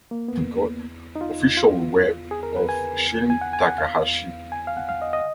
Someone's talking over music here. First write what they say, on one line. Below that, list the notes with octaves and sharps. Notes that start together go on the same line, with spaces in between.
Official web of Shin Takahashi.
A#3
B3
D#4
F4
F4
G#4
A#4
B4
G#5
G#5
F#5
G#5
F#5
F5
G#5
F5
F#5
F5
D#5
D#5